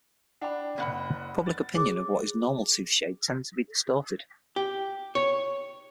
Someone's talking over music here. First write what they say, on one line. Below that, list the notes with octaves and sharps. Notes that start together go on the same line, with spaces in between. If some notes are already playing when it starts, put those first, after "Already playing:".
Public opinion of what is normal tooth shade tends to be distorted.
D4 F#5 G5 B5
F#1 D5 F#5 B5
A6
G#4 C#5 D6
G4
C#5